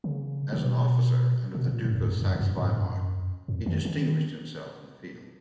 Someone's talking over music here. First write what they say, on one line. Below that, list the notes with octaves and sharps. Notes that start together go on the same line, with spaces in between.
As an officer under the Duke of Saxe-Weimar he distinguished himself in the field.
C#3
C#3
B2
B2
A#2
G#2
F2
F#2
F#2
G#2
F#2
G#2
F#2
F2
D#3
D#3